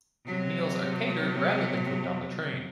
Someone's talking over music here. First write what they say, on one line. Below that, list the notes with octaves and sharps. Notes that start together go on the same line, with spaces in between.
Meals are catered rather than cooked on the train.
C3 F#3